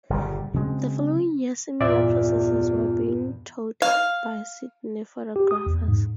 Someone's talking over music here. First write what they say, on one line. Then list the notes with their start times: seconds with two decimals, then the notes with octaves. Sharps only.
The following year similar processes were being touted by Sydney photographers.
0.10 G1 A#2 C#3 G3
0.54 C#3 F#3 G#3 C4
1.81 E2 G2 A#2 F4 D5 E5
3.82 F5
5.36 G4
5.51 D#6
5.66 E2
5.88 G#2